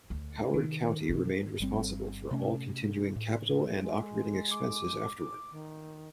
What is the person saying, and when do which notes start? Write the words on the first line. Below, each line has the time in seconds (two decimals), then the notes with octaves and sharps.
Howard County remained responsible for all continuing capitol and operating expenses afterward.
0.10 D2
0.54 C3 D#3
1.09 B2 E3
1.60 G1 G3 C4
2.31 C3 A3 C#4
3.16 A2
3.80 G#3
4.51 D6
5.52 D#3